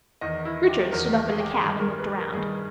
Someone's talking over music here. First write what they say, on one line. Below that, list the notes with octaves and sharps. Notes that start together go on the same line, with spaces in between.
Richard stood up in the cab and looked around.
E2 D#3 D#5
E4
G4
E2 D#3 A#4
G#4
G4
G2 D#3 G#4
A#4
B4
A#4
G2 D#3 G#4